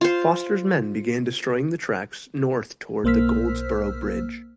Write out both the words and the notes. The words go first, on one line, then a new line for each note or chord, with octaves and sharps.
Foster's men began destroying the tracks north toward the Goldsborough Bridge.
F4 C5
B1 A#3 C5 E6 F6 B6